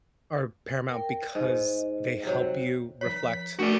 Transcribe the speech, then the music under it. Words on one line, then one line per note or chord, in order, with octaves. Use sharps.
are paramount because they help you reflect
A#4 G5
G#2 D#5
C3 F#3
F3 C#5 B6
A3 D4 F#4 A#4 D5